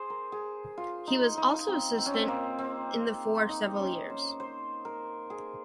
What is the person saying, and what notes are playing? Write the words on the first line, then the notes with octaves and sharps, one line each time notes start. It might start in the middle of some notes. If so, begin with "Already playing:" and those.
He was also assistant in the for several years.
Already playing: G#4 C5
A#4
G#4
F4
D#4
D#4
C4
C4
C#4
C4
A#3
C4
D#4
C#4
C5
C5
A#4
G#4